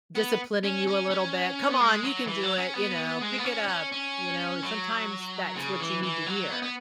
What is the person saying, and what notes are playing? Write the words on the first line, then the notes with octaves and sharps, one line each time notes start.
Disciplining you a little bit, "Come on, you can do it," you know, "Pick it up," you know, sometimes that's what you need to hear.
B3
C#4
C#4
C#4
B3
G#3
F#3
E3
F#3
C#4
B3
G#3
B3
C#4
C#4
C#4
F#3
C#3
E3
E3
F#3
B3
B3